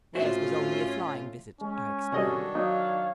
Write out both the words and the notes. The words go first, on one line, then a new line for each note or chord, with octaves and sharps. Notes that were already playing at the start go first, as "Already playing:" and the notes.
"Theirs was only a flying visit," I explained.
F2 A2 C#4 F4 F#4 C5 E5
G#3 C#4
C3 D#3 G3 D4 F#4 A4 C#5 D#5
F#3 D#4 F5